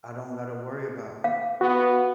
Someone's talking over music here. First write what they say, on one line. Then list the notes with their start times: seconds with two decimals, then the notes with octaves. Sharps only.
"I don't gotta worry about,"
1.24 F5
1.61 B3 F#4